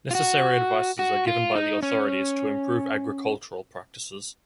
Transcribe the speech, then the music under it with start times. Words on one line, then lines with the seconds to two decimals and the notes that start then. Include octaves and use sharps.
Necessary advices are given by the authorities to improve agricultural practices.
0.11 F4
0.15 F#4
0.99 F#4
1.27 F4
1.55 D#4
1.83 C#4